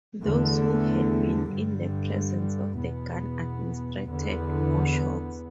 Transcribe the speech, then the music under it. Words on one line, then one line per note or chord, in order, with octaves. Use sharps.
Those who had been in the presence of the gun administered more shocks.
E2 D3 A3
G2 D3 G3
E2 B2 B3
E2 D3 B3